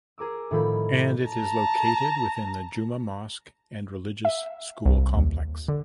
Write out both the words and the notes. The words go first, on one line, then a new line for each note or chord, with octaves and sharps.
And it is located within the Juma Mosque and religious school complex.
G#4 A#4 D6 E6
A2 D#3 F3 E4 B5
A5 A#5
E5
C2
D#2
D3